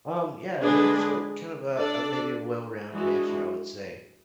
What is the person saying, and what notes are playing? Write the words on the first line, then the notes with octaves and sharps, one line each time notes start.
Um, yeah, here's a, kind of a a, maybe a well-rounded answer, I would say.
D3 G#3 D4 G#4 B4
D4 A4 D5
E3 G#3 D4 F#4